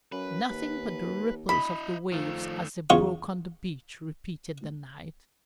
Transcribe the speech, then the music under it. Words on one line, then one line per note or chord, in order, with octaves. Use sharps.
"Nothing but the ripples of the waves as they broke on the beach," repeated the knight.
F#2 B4
D#2
E4 D#5 B5
D#3 F3 A3
E2 C#3 F4 C#6 D#6